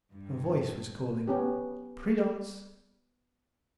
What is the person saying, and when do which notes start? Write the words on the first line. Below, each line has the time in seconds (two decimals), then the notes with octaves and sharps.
A voice was calling, "Prudence!"
0.12 G2
1.27 B3 C#4 G4